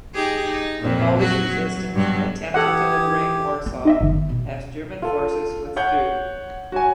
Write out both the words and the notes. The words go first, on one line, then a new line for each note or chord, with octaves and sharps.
The Polish resistance attempted to liberate Warsaw as German forces withdrew.
D#4 G4 G#4
D#4
F2 A#2
F#3 F#4
F#3
G2 B2 F#3
E3 G4 A4 F#5 D#6 G#6
B3
D#4 D#5 E5
G1 D#3
B2
F4 A4
C#5 F#5 G6
F#4 C#5 G#5